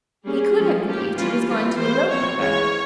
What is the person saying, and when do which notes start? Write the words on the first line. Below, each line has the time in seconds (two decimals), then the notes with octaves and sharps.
He could have believed he was going to elope with her.
0.24 G3 A#3 C#4 G#4
0.56 F3 G#3 C#4
0.86 F3 A#3 C#4 G4
1.16 E3 G3 A#3 C#4 F4
1.47 E3 G3 C4 F4
1.77 E3 G#3 C4 C5
2.09 F3 C4 C#5
2.39 E3 G#3 C#4 C#5